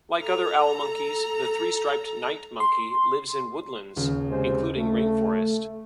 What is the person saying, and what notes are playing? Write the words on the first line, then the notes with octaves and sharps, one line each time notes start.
Like other owl monkeys, the three-striped night monkey lives in woodlands including rain forest.
A4 A#5
C6
D#1 C#3
C3 G#3 C5
A3